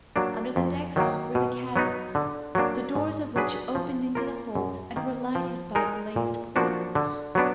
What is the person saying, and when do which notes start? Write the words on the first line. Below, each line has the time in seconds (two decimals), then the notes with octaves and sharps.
Under the decks were the cabins, the doors of which opened into the hold and were lighted by glazed portholes.
0.16 F#3 A#3 D4
0.56 F2
0.96 D#3 F#3 A#3
1.35 B2
1.76 F#3 B3 D#4
2.15 D3
2.55 F#3 A#3 D4
2.95 G#2
3.36 F#3 D4 G#4 B4
3.75 F3
4.15 A#3 F4 A#4
4.55 F#2
4.96 D#3 A#3
5.35 F3
5.75 G#3 D#4 A#4
6.16 A#2
6.56 F3 A#3 D4 F#4
6.95 D3
7.35 F#3 B3 D4